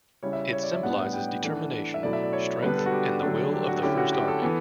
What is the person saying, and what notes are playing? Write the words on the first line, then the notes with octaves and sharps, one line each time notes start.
It symbolizes determination, strength and the will of the First Army.
C#3 G3 C#4 E4 C#5
E5
C#5
D5
E5
A2 G3 B3 D4 F#5
G5
F#5
E3 A3 D4
E5
B2 F#3 A3 E4 D5
E5
D5
C#5
D3 G3 B3 D4 B4
A4
F#4
G4
D3 F#3 A3 D4
G4
F#4
D3 A3 C#4 E4 G4
F#4
G4
A4
E3 B3